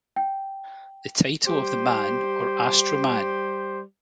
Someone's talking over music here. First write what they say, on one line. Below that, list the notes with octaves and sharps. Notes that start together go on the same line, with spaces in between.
The title of the Man or Astro-man?
G5
G3 G4 C5